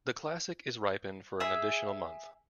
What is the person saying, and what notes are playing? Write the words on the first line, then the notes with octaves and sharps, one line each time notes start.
The 'Classic' is ripened for an additional month.
G#4 E5 E6